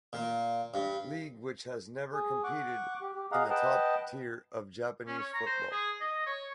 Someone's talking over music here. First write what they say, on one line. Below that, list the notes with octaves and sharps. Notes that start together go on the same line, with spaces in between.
League which has never competed in the top tier of Japanese football.
A#2
G2
G#4
F#5 C#6 D6
G4
G4
G#4 D#5 F5 F#5 A#5
B4 D#5 F#5 G5 A5
C#4
C#5
A#5
C5
G#4
D#5
C#5